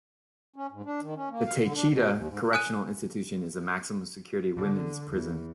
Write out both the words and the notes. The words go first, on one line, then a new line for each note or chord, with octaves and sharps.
The Taycheedah Correctional Institution is a maximum security women's prison.
C#4
G#2
D4
D#3
C#4
A#3
F5
D3
D4
B2
D#2
G#2
G#5 D#6 F#6 D#7
D3
E2